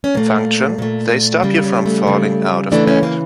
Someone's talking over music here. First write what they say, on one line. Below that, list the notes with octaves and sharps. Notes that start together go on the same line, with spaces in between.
Function: they stop you from falling out of bed.
C#4
A#2 A3 A#3
A#2 A3
C#3 G3 A#3
C#4
A3
C#3 G3
C#3 E3 A3 D4
C#4
A#3